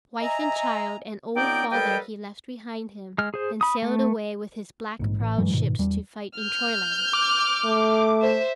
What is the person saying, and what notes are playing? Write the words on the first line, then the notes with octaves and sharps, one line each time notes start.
Wife and child and old father he left behind him and sailed away with his black-prowed ships to fight in Troyland.
D#5 E5 G#5 A#5
C#2 B3 C4 D#4 D5 G5
D#2 G3 A4 B4 D#5 G5
G#3 F6
G#4 C5
B5 D#6
A3
A#1 G#2
A1
G2 E3 F#3 G#3
G1 G#2 B2 D#3
E2 G3
F6 G6
D6
A3
C5 E5